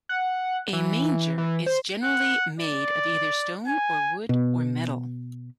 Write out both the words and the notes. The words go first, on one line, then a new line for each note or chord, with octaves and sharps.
A manger is generally made of either stone or wood or metal.
F#5
E3
E3
C5
F#5
D5
G#5
B2